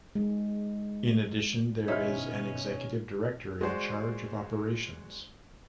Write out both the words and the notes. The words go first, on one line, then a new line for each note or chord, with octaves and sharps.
In addition, there is an Executive Director in charge of operations.
G#3
B2 D#3 C#4 D#4 E4 C5 D#5 F6
G#3 F#4 C5 D5